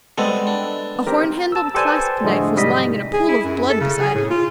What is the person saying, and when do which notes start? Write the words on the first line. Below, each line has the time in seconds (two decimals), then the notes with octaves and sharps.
A horn-handled clasp knife was lying in a pool of blood beside him.
0.18 G3 G#3 B3 C4 A4
0.47 D4
1.07 C4 G4 A#4
1.52 A5 E6
1.74 G4 A4 B4 C5 D5 G#5
2.24 A2 D3 F3 G#3 A3
2.56 G#2 C3 G3 D#5 B6
3.13 G#4
3.28 E4
3.43 F#2
3.69 A4
3.81 C#3
4.01 G#4
4.14 A2
4.30 F4